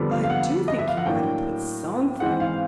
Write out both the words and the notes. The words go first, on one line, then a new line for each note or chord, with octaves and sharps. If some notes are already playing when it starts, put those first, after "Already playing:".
"I do think you might have put something."
Already playing: F2 D3 G3 B3 D4
F5
F5
F#5
D#5
E5
F5
F#5
A2 F#3 A#3 D4 G5
G#2 E3 G#3 C4 F#5
F5